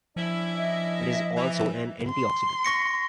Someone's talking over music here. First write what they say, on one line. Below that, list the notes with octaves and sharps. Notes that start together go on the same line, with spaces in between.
It is also an antioxidant.
F3 C#4 D4 E4
D#5 E5
E3
C6
C#6 A#6 C#7